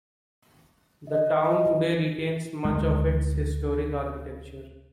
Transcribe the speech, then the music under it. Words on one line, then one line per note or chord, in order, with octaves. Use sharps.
The town today retains much of its historic architecture.
D#5
D2 G#3